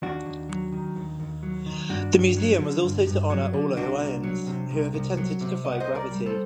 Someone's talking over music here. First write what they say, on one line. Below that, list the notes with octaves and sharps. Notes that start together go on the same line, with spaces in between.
The museum also was to honor all Ohioans who have attempted to defy gravity.
D#2 D4 F#4
D#2
F#3
D#3
D#2
D#2
F#3
D#3
G2 D4 F#4
G2
F#3
D3
G2
G2
F#3
D3
C2 D4 F#4
C2
F#3
C3
C2
C2
F#3
C3
C2 D#5
F#5
C5 D#5
C2
A#4 D5
G3
A4 C5